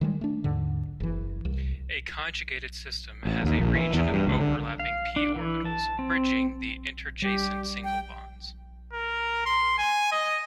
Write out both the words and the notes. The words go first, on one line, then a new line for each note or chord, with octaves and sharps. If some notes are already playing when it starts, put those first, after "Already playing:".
A conjugated system has a region of overlapping p-orbitals, bridging the interjacent single bonds.
D#3 G3 G#3
A3 D4
D#2 G#2 D3
F#1 E3
C2
A1
D#2
A#1
E3
E2
G2
C#2
D3
F5
D4
E3
A5
C4
G3 G4
G5
A#4
C6
G#5
D#5